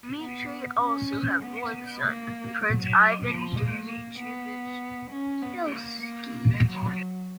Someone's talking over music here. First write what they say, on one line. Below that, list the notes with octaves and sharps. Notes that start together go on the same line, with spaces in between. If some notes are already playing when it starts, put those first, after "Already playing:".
Dmitry also had one son, Prince Ivan Dmitrievich Belsky.
B3
C#4
B3
A#3
F#3
F3
A#3
A#3
B3
C#4
B3
A#3
A#3
F#3